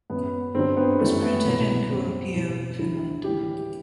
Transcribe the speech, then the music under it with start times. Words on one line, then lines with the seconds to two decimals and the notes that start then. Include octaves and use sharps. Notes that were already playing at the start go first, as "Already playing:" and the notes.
It was printed in Kuopio, Finland.
0.10 F#2 F#3 B3
0.55 G2 D3 F#3 C4
0.77 B3
0.99 F#2 E3 G3 A3
1.22 B3
1.45 C2 B2 F#3
1.89 F#2 F#3 C4
2.34 E2 B2 G3 E4
2.79 D2 D3 F#3 E4
3.24 A2 E3 G3 G4